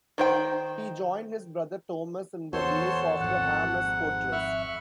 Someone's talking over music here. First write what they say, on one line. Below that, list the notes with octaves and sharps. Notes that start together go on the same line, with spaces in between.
He joined his brother Thomas in the relief of the Hammes fortress.
D#3 C5 G5
E2 A#2 F#4 A4 C5 C#5 A5 C6
G#1 F2 F#5
G#2
E5 B5 C#6 F6